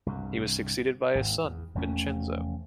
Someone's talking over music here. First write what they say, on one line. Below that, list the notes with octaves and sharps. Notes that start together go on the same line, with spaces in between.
He was succeeded by his son Vincenzo.
C2 G2
G#1 D#2 G#2
E2
F1 E2 A3 C#4